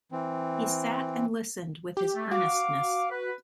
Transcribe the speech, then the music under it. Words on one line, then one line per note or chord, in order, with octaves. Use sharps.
He sat and listened with his earnestness.
E3 C4
G4
A3
F#4 F5 D6
B4